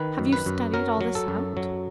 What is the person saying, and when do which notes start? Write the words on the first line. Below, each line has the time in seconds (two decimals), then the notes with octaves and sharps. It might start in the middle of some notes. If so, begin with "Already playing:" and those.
"Have you studied all this out?"
Already playing: D#3 B4
0.19 F#2
0.33 B4
0.46 F#2
0.74 F#3 A#4
1.01 F#3
1.15 A4
1.28 F#2
1.57 F#3